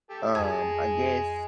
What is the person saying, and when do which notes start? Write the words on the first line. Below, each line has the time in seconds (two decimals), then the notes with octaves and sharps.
um, I guess
0.10 G4 A4
0.35 F2 G#3 G#4 G#6